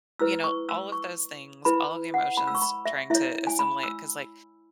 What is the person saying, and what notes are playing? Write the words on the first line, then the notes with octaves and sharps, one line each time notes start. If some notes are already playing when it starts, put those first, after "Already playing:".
you know, all of those things, all of the emotions trying to assimilate 'cause, like,
E4 B4 E6
C#6
E6
C#6
E4 B4 B5
F#5
B5
E6
C#6
B5
E5
E4 C#5 E5
G#5
B5
E6